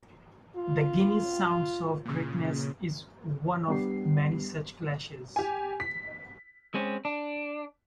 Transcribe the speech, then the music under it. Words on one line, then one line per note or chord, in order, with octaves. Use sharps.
The Guinness Sounds of Greatness is one of many such clashes.
F4
A#2 C#3
G3 B3 D4 G4 C7
G4 G#5
B6
G#3 C4 C#4
D4